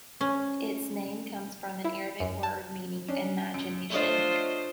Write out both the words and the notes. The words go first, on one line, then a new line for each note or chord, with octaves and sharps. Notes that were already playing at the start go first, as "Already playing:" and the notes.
Its name comes from an Arabic word meaning "imagination".
C#4
E4
F#2
A5
C#4 D4
F#2 D7
A3 D4 F4 C5 C#5 D#5